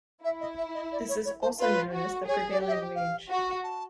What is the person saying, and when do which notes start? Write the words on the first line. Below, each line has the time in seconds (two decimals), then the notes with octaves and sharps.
This is also known as the prevailing wage.
0.23 E4 E5
0.40 D#5
0.57 E5
0.74 D#5
0.92 D5
1.09 C#5
1.25 C#5
1.42 C5
1.59 F4 B4
1.93 F#4
2.27 G#4 C#5
2.50 D5
2.62 G4
2.67 E5
2.72 D#5
2.95 F5
3.29 F#4
3.63 A5